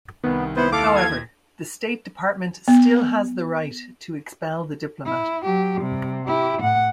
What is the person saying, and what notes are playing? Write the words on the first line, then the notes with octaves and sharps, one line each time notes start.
However, the State Department still has the right to expel the diplomat.
C2 D#3 B3
B3 E4 C5
D#2 E4 A4 F5 D6
G#6
B3
E4
F#3 G4
C3 G3
E4 G4
A2 F#5